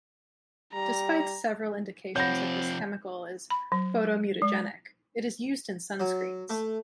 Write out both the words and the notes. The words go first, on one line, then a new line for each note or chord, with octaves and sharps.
Despite several indications that this chemical is photomutagenic, it is used in sunscreens.
G3 A#5
C3 F3 C4 C#5 F#5 B5 G6 A#6
B5
F#3
G#3
F#3
A3